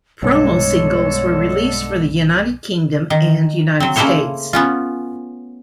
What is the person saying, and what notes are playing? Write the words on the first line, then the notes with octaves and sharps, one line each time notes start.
Promo singles were released for the United Kingdom and United States.
B1 G2 D3 G#3 A4 C#5
D#3
F#3 C4
C#3 A3 A#3 E4 C5 C#5
B3 C#4 F4